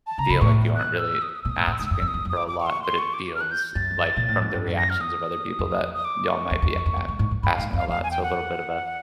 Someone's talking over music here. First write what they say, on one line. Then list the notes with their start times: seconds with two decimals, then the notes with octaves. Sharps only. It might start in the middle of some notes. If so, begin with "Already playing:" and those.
feel like you aren't really asking for a lot, but it feels like from the reactions of other people that y'all might be a asking a lot. So a little bit of a
0.07 A5
0.18 C#3 A#5
0.30 C#3 B5
0.41 A2 C#6
0.75 F#6
0.98 E6
1.22 D#6
1.29 E6
1.35 D#6
1.43 A#2 E6
1.50 D#6
1.56 A2 E6
1.64 D#6
1.67 A2
1.72 E6
1.79 G#2 D#6
1.86 E6
1.91 F#2
1.93 D#6
2.00 F2 E6
2.08 D#6
2.14 F#2
2.25 F#2
2.29 D#6
2.37 D6
2.48 D6
2.60 C#6
2.66 C6
2.71 C#6
2.83 C6
2.98 C#6
3.13 D6
3.35 F6
3.41 F#6
3.51 G6
3.75 F#2 A6
4.17 A#2
4.28 A2
4.41 G#2
4.55 G2
4.67 F#2
4.78 A#6
4.90 F6
5.01 D#6
5.59 F2
5.94 D#6
6.05 D6
6.28 C#6
6.51 E2
6.62 E2
6.74 F2
6.86 F2
6.96 F#2
7.08 G#2
7.19 G#2
7.31 G2
7.43 G2 B5
7.55 G#2 F5
7.73 F#2
7.77 F5
7.88 E2 F5
8.03 G#5
8.11 G5
8.23 F#5